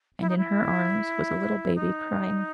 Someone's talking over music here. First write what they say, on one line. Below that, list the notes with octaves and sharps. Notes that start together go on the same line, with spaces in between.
And in her arms was a little baby crying.
E4
D#4
E4
D#4